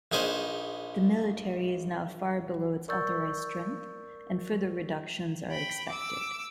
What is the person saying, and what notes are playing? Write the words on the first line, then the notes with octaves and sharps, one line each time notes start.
The military is now far below its authorized strength, and further reductions are expected.
A#1 D#4 G#4 B4 C5
A#4 D5 C#6 E6 G6 A6
G5 B5
D6 E6